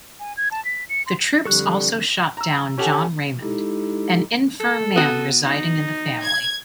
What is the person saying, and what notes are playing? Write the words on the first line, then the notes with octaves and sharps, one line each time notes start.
The troops also shot down John Raymond, an infirm man residing in the family.
G#5
G#6
A5
B6
C#7
C6
F2 D3 G3 A4 C#6 F#6
A#5 E6
C#4 G4 A4 F#5 G#5
G#3 D#4 E4 G4 A4
A4
B3 F#4
D#4
G#6